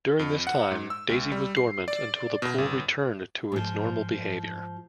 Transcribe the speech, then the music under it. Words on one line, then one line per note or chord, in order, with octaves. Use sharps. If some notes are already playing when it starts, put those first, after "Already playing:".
During this time, Daisy was dormant until the pool returned to its normal behavior.
F2
F#5
G#2
E6
C#2
G3
C7
D5
B2
G1
G#2 F3